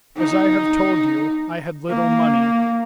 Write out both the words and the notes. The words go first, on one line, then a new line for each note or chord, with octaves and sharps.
As I have told you, I had little money.
D#4
A#3